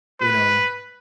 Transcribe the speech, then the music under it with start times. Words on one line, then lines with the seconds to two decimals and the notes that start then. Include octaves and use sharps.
you know
0.20 B4